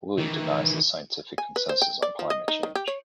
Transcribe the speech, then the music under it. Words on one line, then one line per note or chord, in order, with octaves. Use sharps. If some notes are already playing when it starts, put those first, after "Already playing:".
Wiehle denies the scientific consensus on climate change.
D#3 E3
G#5
B4
C5
G5
D5
F3
D#5
D#4
D#3
G4
C#5